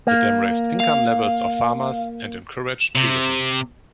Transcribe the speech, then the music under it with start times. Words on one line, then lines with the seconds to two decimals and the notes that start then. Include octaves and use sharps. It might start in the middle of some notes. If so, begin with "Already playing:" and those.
The dam raised income levels of farmers and encouraged tourism.
0.07 A#3
0.80 F5
2.95 C3